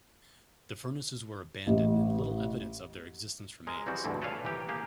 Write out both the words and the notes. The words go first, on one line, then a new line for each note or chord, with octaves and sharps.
The furnaces were abandoned and little evidence of their existence remains.
A1 D#5
G#3 A#4 D#5
E3 G3 G#3 C4 F#4
D2 G2 B2 D3 E3
A4 B4 C#5 D5 F5 G#5
E3 G4 A#4
A#3 G4 G#4